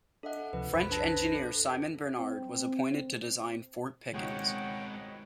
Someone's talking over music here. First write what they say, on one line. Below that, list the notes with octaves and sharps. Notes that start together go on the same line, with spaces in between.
French engineer Simon Bernard was appointed to design Fort Pickens.
D4 A4 D#5 E5 F#5
C#2 C3 F3 B4
B1 F2 B4 C5 B5
D4 A5 A#6
A4
C4
C#2 B2 D#3 G#3 C4 C#5 F#5 G5